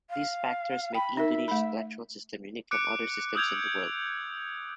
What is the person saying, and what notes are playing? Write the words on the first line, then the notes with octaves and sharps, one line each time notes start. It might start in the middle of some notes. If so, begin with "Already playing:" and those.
These factors made Indonesia's electoral system unique from other systems in the world.
F5
G5 B5
D#4 A#4 E5
A3 B5
D6 F#6 C#7 D7
D#6 E6 G6 G#6 F7